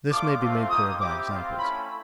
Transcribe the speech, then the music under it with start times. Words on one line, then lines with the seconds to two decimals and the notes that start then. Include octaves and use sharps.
This may be made clear by examples.
0.11 A3 D4 F4 D6
0.40 A3 C4 F4
0.70 A#3 D#4 G4 D#6
0.99 C4 E4 G4 D6
1.29 C4 F4
1.58 A3 C#4 E4 B5